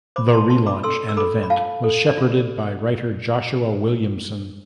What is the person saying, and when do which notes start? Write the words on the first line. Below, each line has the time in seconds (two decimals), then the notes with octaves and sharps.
The relaunch and event was shepherded by writer Joshua Williamson.
0.16 C5 B5 D6
0.33 A5 C6
0.49 F4 A5 C6
0.66 B5 D6
0.83 A4 C6 E6
1.09 E6
1.17 A4 B5 D6
1.43 B5
1.50 F4 F5 A5
1.84 A4
2.09 D5
2.17 F4